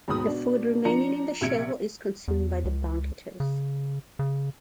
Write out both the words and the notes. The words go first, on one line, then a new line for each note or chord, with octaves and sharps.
The food remaining in the shell is consumed by the banqueters.
D#2 G#2 B2 B5 D#6
B2 D4
F3 D4 A#5 C#7
A#1 C3 E5 G#6 C#7 D7
E2
C#2
C#3
C#3